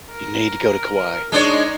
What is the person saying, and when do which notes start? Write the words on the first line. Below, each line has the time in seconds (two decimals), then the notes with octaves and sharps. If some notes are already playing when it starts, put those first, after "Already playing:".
You need to go to Kauai.
0.12 A#4
1.32 G#3 D4 D#4 C#5